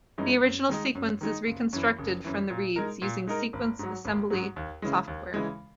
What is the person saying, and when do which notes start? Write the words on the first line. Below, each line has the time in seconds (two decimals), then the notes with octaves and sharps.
The original sequence is reconstructed from the reads using sequence assembly software.
0.18 F#2 E3 G#3 D#4
0.44 F#2
0.69 D#3 G#3 D#4
0.95 F#2
1.21 D#3 G#3 D#4
1.47 F#1
1.73 F#2 E3
1.99 F#1
2.24 F#2 E3
2.50 A#2
2.76 G#3 D#4 A#4
3.02 A#2
3.27 G#3 D#4 A#4
3.53 G#1
3.79 G#2 F#3
4.05 G#1
4.30 G#2 F#3
4.56 D#2
4.82 C#3 E3 G#3
5.08 D#2
5.34 C#3 E3 G#3